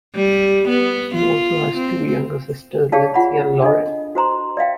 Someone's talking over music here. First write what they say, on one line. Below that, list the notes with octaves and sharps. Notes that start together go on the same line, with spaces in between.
She also has two younger sisters, Lynsey and Lauren.
G3
B3
F4
C4
G4 G#4 C#5 D5 F5 A5
F4 F#5 B5
D4 A4 D#5
F#4 C5 A#5 C6
D5 E5 F5 G5